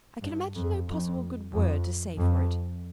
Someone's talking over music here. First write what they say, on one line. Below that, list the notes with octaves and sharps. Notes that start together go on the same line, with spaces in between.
I can imagine no possible good word to say for it.
G2
F2
F2
F2
F2